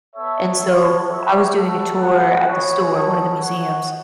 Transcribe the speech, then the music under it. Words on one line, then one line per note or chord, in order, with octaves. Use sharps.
and so I was doing a tour at the store- one of the museums-
B3 A4 C#5 E5
F#4 A4 C#5
F#4 C#5 E5
A3 F#4 A4
B3 A4 F#5
B3 F#4 C#5
B3 A4 C#5
F#4 C#5 F#5